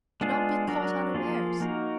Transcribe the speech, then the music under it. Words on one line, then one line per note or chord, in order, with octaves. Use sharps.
Do not be caught unawares.
G#3 B3 D4 F4 G#4
F#3 D4 F#4 A#4
F3 A#3 F4 G#4
A#3 D#4 F#4 A#4